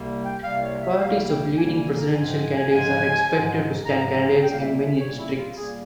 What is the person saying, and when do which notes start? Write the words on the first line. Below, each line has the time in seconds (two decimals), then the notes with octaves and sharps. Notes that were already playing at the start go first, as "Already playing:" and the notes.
Parties of leading presidential candidates are expected to stand candidates in many districts.
Already playing: C2 C3 G3 A#3
0.25 G5
0.43 C2 C3 G3 A#3 F5
0.63 C#5
0.82 E5
1.01 C2 C3 G3 A#3 F5
1.29 G5
1.57 C2 C3 G3 A#3 G#5
1.76 G#5
1.96 A#4
2.14 G#2 F3 G#3 G#5
2.29 G5
2.43 G#5
2.57 G#5
2.71 G#2 F3 G#3 G#5
3.29 G#2 F3 G#3
3.85 G#2 F3 G#3 A#5
4.14 A#5
4.42 A#2 G3 A#3 G5
4.53 F5
4.62 E5
4.80 E5
4.99 A#2 G3 A#3 C#5
5.18 E4
5.37 F4
5.56 A#2 G3 A#3 G#4